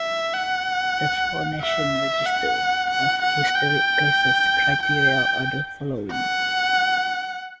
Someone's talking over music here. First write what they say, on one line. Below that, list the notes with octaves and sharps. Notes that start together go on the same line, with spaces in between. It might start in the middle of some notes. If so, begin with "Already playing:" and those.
The four National Register of Historic Places criteria are the following.
Already playing: E5
F#5
E5
F#5
F#5
F#5
G5
G5
F#5